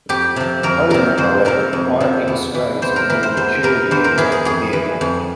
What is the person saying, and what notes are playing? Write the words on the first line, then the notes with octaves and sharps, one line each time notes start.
Homer, however, quietly displays a more mature view of the hero.
F2 G4
C3 F3
F2 A#4
C3 F3 A#4
F2 C5
C3 F3 A#4
F2
C3 F3
E2
E3
E2 C5
A#4
E3 A#4
C5
E2 C5
E3 A#4
E2 C5
A#4
E3 G#4
G#4
F2 G#4
E3
F2